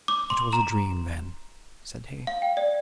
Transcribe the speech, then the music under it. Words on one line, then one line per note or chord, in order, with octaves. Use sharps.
'It was a dream, then,' said he.
D6
C6
A#5
F5
G5
D5